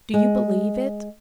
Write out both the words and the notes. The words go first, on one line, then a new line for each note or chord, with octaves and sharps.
Do you believe it?'
G#3